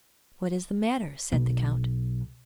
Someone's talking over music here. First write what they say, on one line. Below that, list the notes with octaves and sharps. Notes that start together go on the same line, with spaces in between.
"What is the matter?" said the count.
B1